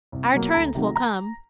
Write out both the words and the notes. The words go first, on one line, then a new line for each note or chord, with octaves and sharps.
Our turns will come.
C2
B2 F#3 A#3
D2 A#5
C3 D#3 F#3 A3
A#5